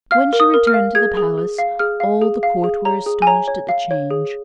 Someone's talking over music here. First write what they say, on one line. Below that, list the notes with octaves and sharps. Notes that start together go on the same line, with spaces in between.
When she returned to the palace, all the court were astonished at the change.
F5 F6
A#4
D#6
A#4
F6
F5
G#4 G#6
G#4
G#4
F5
G#4 F6
F5
G#4
F5
G#4
C#5 A#5
G#4
G#5
C#5 A#5
C#5
F5
C#5
G#4